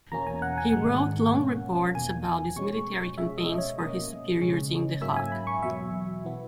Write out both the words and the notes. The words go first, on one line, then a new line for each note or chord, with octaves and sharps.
He wrote long reports about these military campaigns for his superiors in The Hague.
E2 B2 A#3 C#4 A#5
G#5
F#5
G#5
G#2 D#3 G#3 F#5
B2 A#3 C#4
E2 B2 A#3 G#5
B2 G#3 C#4 C#6
B2 G#3 C#4 E5
D#5
C#5
B2 A#3 C#4 D#5
C#3 G#3 C#4
G#2 F#3 A#3 C#4 E5
G#5
B5
C#6
E2 B2 F#3 E5
E3 B3